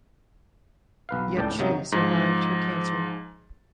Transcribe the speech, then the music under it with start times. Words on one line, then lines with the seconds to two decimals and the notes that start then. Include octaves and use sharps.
Yet she survived her cancer.
1.09 B1 B4 F5
1.36 C#2 A2 D5 G5 A5
1.59 F#2 C3 F3 F#3 D#4
1.92 G#2 F3